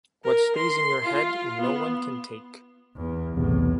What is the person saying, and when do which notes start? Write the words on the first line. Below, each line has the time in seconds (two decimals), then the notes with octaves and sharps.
What stays in your head no one can take.
0.24 A#4
0.57 C6
1.03 F4
1.61 B3
2.96 E2
3.37 B1 E2 A2 C3